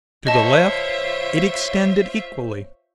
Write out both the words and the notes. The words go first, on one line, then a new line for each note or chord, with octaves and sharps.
To the left, it extended equally.
F4 C5 C#5 D#5 E5 A5